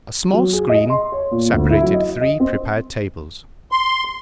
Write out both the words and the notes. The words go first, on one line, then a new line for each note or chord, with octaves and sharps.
A small screen separated three prepared tables.
F#3
G#4
D#5
C6
C#5
A#2
D2
E4
F#3
D#5
D#5
C4
C6